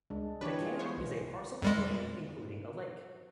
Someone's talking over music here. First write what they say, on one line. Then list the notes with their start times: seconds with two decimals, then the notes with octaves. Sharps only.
The camp is a parcel of land including a lake.
0.10 C#2 G#3 D4
0.41 E3 D4 G4 B4 C#5
0.59 G#3 F4 G#4
0.79 B3 C5 C#5
0.97 B1
1.62 F2 G3 G#3